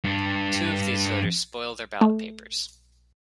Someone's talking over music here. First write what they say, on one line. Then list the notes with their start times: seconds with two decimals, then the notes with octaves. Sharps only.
Two of these voters spoil their ballot papers.
0.04 G2 D4
2.01 A3